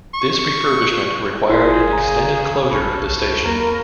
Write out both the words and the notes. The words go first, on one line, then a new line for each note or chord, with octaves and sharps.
This refurbishment required an extended closure of the station.
C#6
G1 E4 G#4 A#4 C5 D5
C#3 A#5
A#1 A4 B5 C#6 F6
C2
E2 A#3 A#4